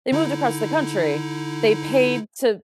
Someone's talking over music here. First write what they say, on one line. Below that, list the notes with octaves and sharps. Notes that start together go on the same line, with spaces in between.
they moved across the country. They paid to
D3 D#4 E4